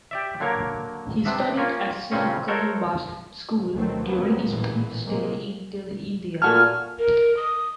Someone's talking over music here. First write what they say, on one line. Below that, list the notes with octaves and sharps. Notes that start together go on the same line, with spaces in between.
He studied at Saint Columba's School during his brief stay in Delhi, India.
G4 D5 E5
D3 F#3 A#3 A#4 C#5
C3 B3 D4 E5
A#3 C#4 F4
G2 A#2 C#3 C4 C#4
F#4 A4 A#4 C5 C#5
D2 B2 D#3 F#3 A3 C4
C3 F3 F#3 A#3 B3
A1 A#2 D3 E3
C3 F#3 G#3 A#3
A#2 A3 F#4 A4 G#5 F6
A#4
D#6